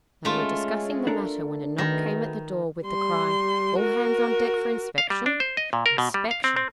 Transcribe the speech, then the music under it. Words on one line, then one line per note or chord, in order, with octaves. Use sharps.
They were discussing the matter when a knock came at the door with the cry, "All hands on deck for inspection." Inspection!
G#3 A3 C#4 F4
D4 A4 A#4
D#3 A3 F#4 B4
G3 C6
F#4 A#4
F5
G3
D4
C5
D#5
A#2
A#4
B2
G3
F5
C4
C4